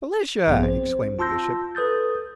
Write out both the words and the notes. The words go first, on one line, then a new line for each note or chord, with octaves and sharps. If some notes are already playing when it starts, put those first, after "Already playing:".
"Felicia!" exclaimed the Bishop.
A#1 G2 F3 B3 G#4
C4 C5
F4 A5 C6 E6 G6 A#6
A4 B4 D#6 G6 A6